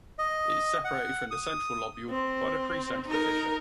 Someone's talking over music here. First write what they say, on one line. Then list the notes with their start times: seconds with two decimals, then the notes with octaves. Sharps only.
It is separated from the central lobule by the pre-central fissure.
0.19 D#5
0.84 F#5
1.31 D#6
2.10 C4
3.07 D#4 A#4